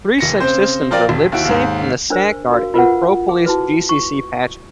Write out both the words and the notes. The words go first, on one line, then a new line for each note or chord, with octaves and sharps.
Three such systems are Libsafe, and the "StackGuard" and "ProPolice" gcc patches.
F1 A#6 C#7
C#3 C4 C5
F3 F4 A#4 D5 G5 A6
E1
D#2 E4 F#4 D7
D#2 G#2
D4 A#4 C5
F#4 A#4 F5
F4 A#4 B4 F#5
G#4
E4 F#4 B4
C#6